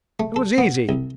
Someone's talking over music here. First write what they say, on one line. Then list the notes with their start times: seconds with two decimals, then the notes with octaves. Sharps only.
It was easy.
0.20 A3
0.36 A4
0.58 B3
0.89 C2